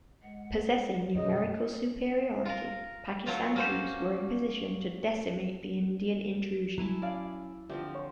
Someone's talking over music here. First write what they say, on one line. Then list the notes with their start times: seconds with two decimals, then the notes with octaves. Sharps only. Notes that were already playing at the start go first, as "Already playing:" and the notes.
Possessing numerical superiority, Pakistan troops were in position to decimate the Indian intrusion.
0.23 G#3 F#5
1.15 F#2 B2 D3 G#4 D#5
2.45 F4 A#4
3.26 F#3 A3 F4 C#5 F5
3.56 A#3 C#4 C5
6.78 F#3 E4 G#5 A5
7.02 C#4 D5 F5
7.69 D3 F3 C4 G4 E5
7.95 C5 C#5